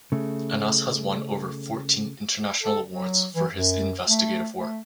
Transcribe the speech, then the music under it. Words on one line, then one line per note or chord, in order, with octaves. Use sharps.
Anas has won over fourteen international awards for his investigative work.
C#3 A3
A4
F#3
E3
F#2
A3
A3